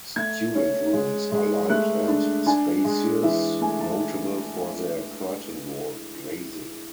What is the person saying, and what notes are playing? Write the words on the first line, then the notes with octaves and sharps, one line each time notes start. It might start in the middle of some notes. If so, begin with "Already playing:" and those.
Student rooms are light and spacious, notable for their 'curtain wall' glazing.
A3 G#6
C#4
G#3
G#3
A3 F#6
D4
D4 G#5
G#3
E3 E5
A3 G#5
A5